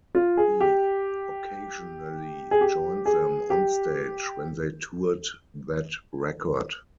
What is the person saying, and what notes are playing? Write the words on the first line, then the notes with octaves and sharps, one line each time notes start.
He occasionally joined them on stage when they toured that record.
F4
G#4
G4
G#4
G4
G#4
G4